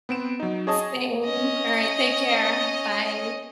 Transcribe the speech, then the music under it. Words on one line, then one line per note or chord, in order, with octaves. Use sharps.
Same. Alright, take care, bye.
B3 C4 D7 E7
F#3 D#4
G#4 C#5 D#5 A5 D#6
C#4 D#5